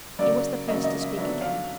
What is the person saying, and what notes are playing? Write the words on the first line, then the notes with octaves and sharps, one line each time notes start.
He was the first to speak again.
C#3 F#3 A#3 D5
C#3 F#3 A#3 D#5
D#5
E5
D3 F#3 B3 D4 E5
F5